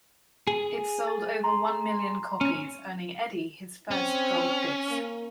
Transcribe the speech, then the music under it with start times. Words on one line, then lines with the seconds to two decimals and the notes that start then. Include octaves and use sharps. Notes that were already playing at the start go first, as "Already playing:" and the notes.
It sold over one million copies, earning Eddy his first gold disc.
0.47 G#4
1.07 A6
1.44 A#5 C6
2.41 C#4
3.91 C4 C#4
4.89 A#3